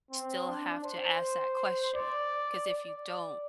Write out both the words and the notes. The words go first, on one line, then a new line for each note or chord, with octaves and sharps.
still have to ask that question, 'cause if you don't,
C4
D4
C5
D5
D5